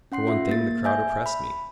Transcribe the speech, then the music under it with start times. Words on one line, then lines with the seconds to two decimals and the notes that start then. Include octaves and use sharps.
For one thing, the crowd oppressed me.
0.12 C#4 F#5 C6 C7
0.27 F4 E5
0.49 A#3 A6
0.84 E5 G#5 G6
1.01 E5
1.26 B5